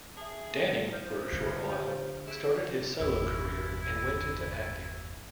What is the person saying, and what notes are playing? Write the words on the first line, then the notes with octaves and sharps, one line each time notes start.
Danny, for a short while, started his solo career and went into acting.
G#4 E5 A5
F3 F6 G6
D3 F#6 G#6 C#7
G4 C5 C#5
E4 G#4 D7
G1 E2 B2 E4